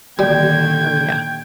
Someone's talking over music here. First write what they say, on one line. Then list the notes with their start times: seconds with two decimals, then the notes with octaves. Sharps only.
Oh, yeah.
0.19 A#2 D3 D#3 G3 G5 G#6